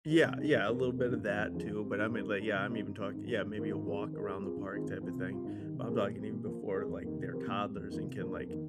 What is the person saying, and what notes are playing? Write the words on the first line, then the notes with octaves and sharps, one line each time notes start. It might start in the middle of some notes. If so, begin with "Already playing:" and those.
yeah, yeah, a little bit of that too. But I mean, like, yeah, I'm even talk yeah, maybe a walk around the park type of thing. But I'm talking even before, like, they're toddlers and can, like,
F3 G#3
C3
D#3 G#3 D#4
G2
F3 C4 G4 A#4
F2
C3 G3 A#3
G2
F3 C4
F2
D3 F3 G#3
F3
C4 G4
G#2
G3 C4 D#4 A#4
D3
G3 D4
C3
G3 C4 D#4
G2
F3 C4
G#2
F3 A#3 D4
G2
D#3 A#3 F4
G#2
F3 G#3 C4
D#3
G#3 D#4 A#4
G3
C4 F4 G#4
G2
D#3 G#3 C4 F4
G#2
F3 C4 F4
C3
G3 C4 F4
G#2
D#3 G3
C3
F3 A#3 D4 G#4
A#2
G3 C4
A#2
F3 A#3
D3
G#3 C4
F2
D#3 G3 A#3
C3
F3 C4 G4 A#4
A#2
G3 C4
F2
D#3 A#3 F4
C3
F3 A#3 D4
F2
D#3 A#3